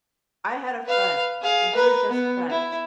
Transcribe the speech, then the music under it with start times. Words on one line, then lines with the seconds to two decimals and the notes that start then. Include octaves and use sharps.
I had a friend, and we're just friends.
0.87 B4 F5
1.42 G#4 F5
1.74 A#4 B4
2.09 B3
2.50 E4